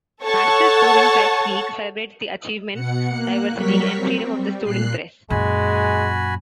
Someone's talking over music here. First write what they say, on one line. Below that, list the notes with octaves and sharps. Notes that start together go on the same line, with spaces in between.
National Student Press Week celebrates the achievements, diversity and freedom of the student press.
A4 C#5 F#5 A5 C#6
B2 F#5 C#7
A#3 F#6
F#3 G3 A#4 C#6 B6
C4
G3
A#2 F#6 C7
F#2 A#2 G#3 F#4 G#5 B5